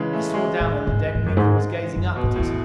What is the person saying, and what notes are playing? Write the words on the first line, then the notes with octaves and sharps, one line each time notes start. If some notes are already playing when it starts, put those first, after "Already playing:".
I saw down on the deck. Miko was gazing up at us.
Already playing: C#3 E3 G#3
A3
G#3
A2
G#2
G#2
F#2
G#2
F#2
B2
G#2
E2 A2